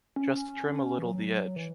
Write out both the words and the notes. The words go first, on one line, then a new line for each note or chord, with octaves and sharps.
Just trim a little the edge.
C#4
E3
F#3
E3